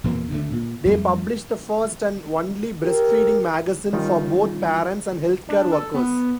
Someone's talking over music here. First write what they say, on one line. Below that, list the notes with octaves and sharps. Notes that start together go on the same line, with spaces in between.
They publish the first and only breastfeeding magazine for both parents and healthcare workers.
E2 A#2 E3 A#3
D2 D3 A3
A#2
F2 G3 A3
G4 A#4
D#3 G3 C#4 D#4 F4
D4
A4
B3